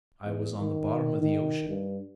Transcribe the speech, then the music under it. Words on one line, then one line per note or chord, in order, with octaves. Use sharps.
I was on the bottom of the ocean.
E2
D#3
D#3
G2